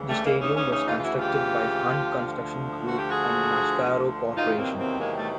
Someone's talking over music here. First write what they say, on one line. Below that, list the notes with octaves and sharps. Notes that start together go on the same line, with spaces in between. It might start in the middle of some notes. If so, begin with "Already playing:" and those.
The stadium was constructed by Hunt Construction Group and Mascaro Corporation.
Already playing: D2 C#3 E3
G3 A3
G#3 A#3
C#4 D#4
C#4 D#4
C#4 D#4
D#4 F4
F4
E4 F#4
F4 G4
D2 D3 F3
F#4
G4
F#4 G#4
E2 C3 D#3 F#3 D#4 F4
A#3 C4
A#3 C4
G#3 A#3
G3 A3